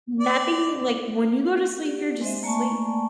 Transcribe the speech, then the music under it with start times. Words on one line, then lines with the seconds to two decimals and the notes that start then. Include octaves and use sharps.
Nothing? Like, when you go to sleep, you're just asleep.
0.20 D5
1.82 G4 D5
2.21 G#3 C4 C5 D#5 E5
2.43 A3 A#3 D5 G#5 A5 C#6